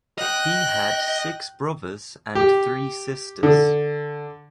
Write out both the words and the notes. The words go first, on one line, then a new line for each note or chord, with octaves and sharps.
He had six brothers and three sisters.
D#5 G5 F#6
G4
D3